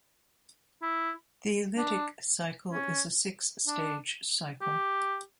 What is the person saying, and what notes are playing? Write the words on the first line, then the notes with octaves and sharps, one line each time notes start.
The lytic cycle is a six-stage cycle.
E4
D4
C#4
D4
G4